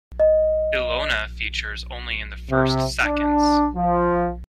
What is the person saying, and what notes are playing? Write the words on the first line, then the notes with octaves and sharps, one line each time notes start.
Ilona features only in the first seconds.
D#5
C3
D4
F3